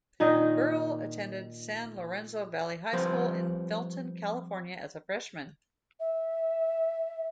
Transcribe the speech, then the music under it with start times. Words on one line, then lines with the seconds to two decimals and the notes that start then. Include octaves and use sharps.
Burrell attended San Lorenzo Valley High School in Felton, California, as a freshman.
0.20 A#2 D#3 D#4 D#5
2.93 F3 G3 C4 B4 C5 F5
6.00 E5